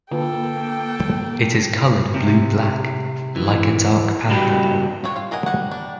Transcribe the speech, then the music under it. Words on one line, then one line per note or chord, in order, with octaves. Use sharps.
It is colored blue-black, like a dark panther.
D3 A#3 F4 A4 B4 G5
C3
E3
C#2 G2 F#4 G4 B5
C4 F4 B4 C#5
F4 F5
G#3 A#4 D#5 F#5 G#5
G3 F#5
G3 D4